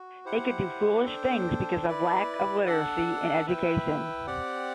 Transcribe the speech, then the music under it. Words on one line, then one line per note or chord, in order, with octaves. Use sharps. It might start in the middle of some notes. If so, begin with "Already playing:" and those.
They could do foolish things because of lack of literacy and education.
Already playing: F#4
E4 G4 C5 F#5
D4 A4 C5 G5
E4 B4 D5
D4 A4 D5 F#5
E4 B4 E5 G5
C4 G4 D5 F#5